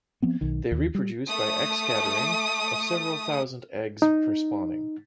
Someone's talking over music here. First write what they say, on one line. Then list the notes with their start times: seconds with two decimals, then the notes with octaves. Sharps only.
They reproduce by egg scattering of several thousand eggs per spawning.
0.22 F3 B3 C4
0.41 B1 D#3
0.72 D#2
0.95 G3
1.27 A3 D#6
4.02 D#4